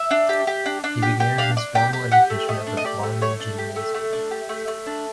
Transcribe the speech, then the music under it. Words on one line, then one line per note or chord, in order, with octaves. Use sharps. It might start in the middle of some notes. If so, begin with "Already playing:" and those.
He began his formal education at the Barmen Gymnasium.
Already playing: E5
D4
G4
G4
D4
D4
G4
G4
D4 F5
D4
G4 G5
G4
G4 F#5
A3
A3 D#5
D4
D#5
G4 D5
A3
A3 C#5
D4
G4
A3
A3
D4
G4
A3
A3
D4